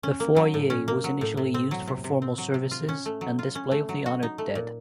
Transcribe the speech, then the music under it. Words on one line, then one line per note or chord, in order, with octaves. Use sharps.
The foyer was initially used for formal services and display of the honored dead.
C#4
A#3
F#3
A2
C#4
A#3
F#3
A2
C3
C4
F#3
C3
C3
C4
F#3
C3
F4
C#4
A3
F#3
F4
C#4
A3
F#3
F#4
D#4
A3
A#2